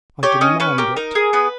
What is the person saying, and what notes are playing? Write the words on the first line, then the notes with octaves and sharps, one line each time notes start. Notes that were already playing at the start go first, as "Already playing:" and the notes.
"I demand it."
G4 C#5
C#4 D#5
C#4 B4
G4 A#4
D#4 A#4
G#4
B3 B4